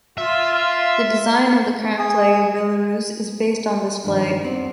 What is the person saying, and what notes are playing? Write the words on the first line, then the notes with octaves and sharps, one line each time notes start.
The design of the current flag of Belarus is based on this flag.
F4 E5
G#4
G2 D#3 F3
B3 C4 D5